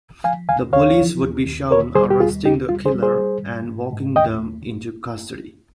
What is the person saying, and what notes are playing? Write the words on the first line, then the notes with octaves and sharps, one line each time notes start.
The police would be shown arresting the killer and walking them into custody.
F3 F5 G#5
D#2 F5 G#5
D#2 C#5 F5
F3
D#2
D#2
D#2 A#4 C#5
G3 G#4 C5
G4
D#2 F4 G#4
D#2 D#4 G4
G3 F4
G#4 C5
G3
G#4 C5
G3
G#2
G#2
G#2
D#2 D#5 G5